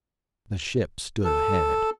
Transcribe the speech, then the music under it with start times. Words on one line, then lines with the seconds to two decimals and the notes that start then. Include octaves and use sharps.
The ship stood ahead.
1.24 A4